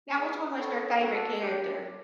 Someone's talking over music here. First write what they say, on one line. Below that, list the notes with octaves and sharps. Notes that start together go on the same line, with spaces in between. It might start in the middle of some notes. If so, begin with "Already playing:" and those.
Now which one was your favorite character?
B3 E4 G#4
B3 E4 A4 C#5
D4 F#4 A4
A#3 D4 G4